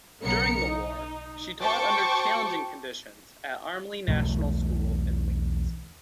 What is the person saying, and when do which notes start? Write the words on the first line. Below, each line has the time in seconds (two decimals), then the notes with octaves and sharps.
During the war she taught under challenging conditions at Armley National School in Leeds.
0.21 B1 C#3 B3 A#4 C#7
0.66 D#4
1.61 F#4 C5 G5 A5 C#6 D6
4.08 B1 E2 B2 A3